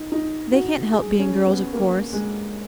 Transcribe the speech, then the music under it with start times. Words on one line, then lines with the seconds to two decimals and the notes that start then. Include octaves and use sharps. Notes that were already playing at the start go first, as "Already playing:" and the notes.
They can't help being girls, of course.
Already playing: D#4
0.12 D#4
0.52 F#4
0.92 G#4
1.19 C#4
1.46 B3
1.73 A#3
2.13 G#3